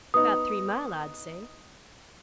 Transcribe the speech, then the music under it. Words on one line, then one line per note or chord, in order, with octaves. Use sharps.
'Bout three mile, I'd say.
B3 D#4 D#6